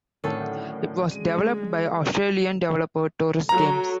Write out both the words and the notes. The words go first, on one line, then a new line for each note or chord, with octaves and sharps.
It was developed by Australian developer Torus Games.
A2 D3 D#3 F#3 C4 C#4 A4
G#3 D#7
F#3 A4 A#5